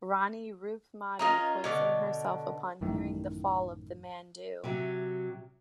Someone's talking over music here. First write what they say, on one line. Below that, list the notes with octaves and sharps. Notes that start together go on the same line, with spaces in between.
Rani Roopmati poisoned herself upon hearing of the fall of Mandu.
C#4 F4 A#4 D#5 A#5
B2 D3 C#5 D6
A1 F#2 A2 D#3
C3 F#3